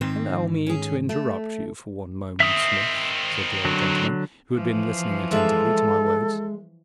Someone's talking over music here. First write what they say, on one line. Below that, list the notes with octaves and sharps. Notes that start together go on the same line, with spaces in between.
"Allow me to interrupt you for one moment, Smith," said the old gentleman, who had been listening attentively to my words.
G#2 D#3 C4
C#4 G#4
A3
D#3 C4 E5 D#6
D3 F#3
E3 F3
G#3 A4 E5